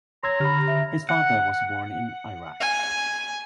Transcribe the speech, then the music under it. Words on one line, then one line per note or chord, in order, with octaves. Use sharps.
His father was born in Iraq.
C#5 A#5 C6 E6 G#6
D3 G4 B5 F6
E5
F#5
G#5